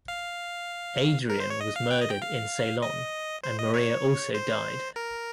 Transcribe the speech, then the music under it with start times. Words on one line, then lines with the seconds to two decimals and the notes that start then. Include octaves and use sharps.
Adriaan was murdered in Ceylon and Maria also died.
0.08 F5
1.30 A#4
1.40 C5
1.50 C#5
1.61 D#5
1.76 F5
1.91 G5
2.01 D#5
2.11 G5
2.22 F5
2.82 D#5
3.43 C5
3.59 D#5
3.74 C#5
4.34 C5
4.96 A#4